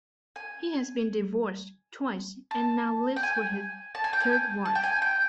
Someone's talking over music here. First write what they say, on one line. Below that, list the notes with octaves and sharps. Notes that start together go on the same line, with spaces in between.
He has been divorced twice and now lives with his third wife.
G#5
A5
G5
G#5
A5
G#5
G5
G#5
A5
G5
G#5
G5